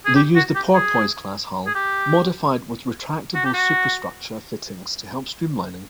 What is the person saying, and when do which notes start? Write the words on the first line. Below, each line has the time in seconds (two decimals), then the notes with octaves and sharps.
They used the "Porpoise"-class hull, modified with retractable superstructure fittings to help streamlining.
0.05 G#4
0.15 G4
0.35 F#4
0.55 G4
0.75 G#4
1.66 G#4
1.75 G4
3.35 F#4
3.45 G4
3.54 F#4